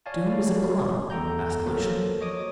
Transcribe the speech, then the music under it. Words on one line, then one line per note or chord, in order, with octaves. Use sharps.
"To whom does it belong?" asked Lucian.
C#5 D5 F5 G#5 A5
E2 A4 G5 A#5 G6
F#3 A#3 A4 A#4 C5
C#5 D#5 D6 D#6